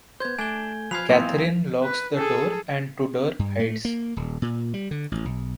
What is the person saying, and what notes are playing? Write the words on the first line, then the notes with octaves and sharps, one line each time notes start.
Catherine locks the door and Tudor hides.
B3 C5 G6 G#6
A3 D4 G#5 G#6 G7
F3 B4 F5 G#6 C7 F7
F#2 E3 A#3 C4 D#4 E4 F5
B4
G#4 A4
G2
A3
A#3
D#1
A#2
G3
D3
A1
B1